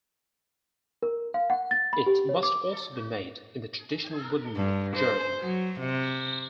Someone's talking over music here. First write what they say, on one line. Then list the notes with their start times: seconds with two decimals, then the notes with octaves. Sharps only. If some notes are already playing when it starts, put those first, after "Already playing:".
It must also be made in the traditional wooden 'gerle'.
1.03 A#4
1.34 F5
1.50 F#5
1.71 A6
1.93 B5
2.06 G4
2.29 C#5
2.43 D6
4.56 G2
4.96 C5
5.42 F#3
5.80 C3